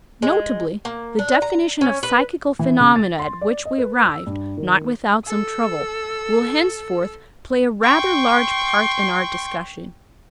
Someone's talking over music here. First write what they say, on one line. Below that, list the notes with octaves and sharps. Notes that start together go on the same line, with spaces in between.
Notably, the definition of psychical phenomena at which we arrived, not without some trouble, will henceforth play a rather large part in our discussion.
G#3
A#3
D4
A#5
C#4
B4
E3
C#3
A6
C6
D5
D#5
B4
E6
G2
D#3
A4 E6
G5 C6 C#6